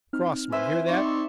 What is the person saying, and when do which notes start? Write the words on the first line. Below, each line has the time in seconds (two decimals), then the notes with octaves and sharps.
Crossman! hear that?
0.13 C4 D#4 F6
0.52 B4 C5 E5 G#5
0.88 C4 D#4 D5 C6 C#6